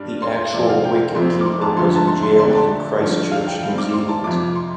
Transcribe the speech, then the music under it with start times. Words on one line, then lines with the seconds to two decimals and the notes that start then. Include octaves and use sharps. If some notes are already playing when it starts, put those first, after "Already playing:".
The actual wicket-keeper was in Jail in Christchurch, New Zealand.
Already playing: G2 G3 D4
0.22 C6
0.53 C3 F3 C4 D5
0.69 F5
0.84 G5
1.14 F2 F3 C4 C6
1.41 D6
1.46 C6
1.61 A5
1.77 F2 D3 F3 A3 C6
1.96 A5
2.07 C6
2.23 C6
2.39 D3 A3 D4 C6
2.55 A5
3.00 G2 F3 D4
3.31 F5
3.47 G5
3.63 G2 G3 C4 F5
3.78 D6
3.93 C6
4.08 A5
4.24 F2 C3 F3 D6
4.55 C6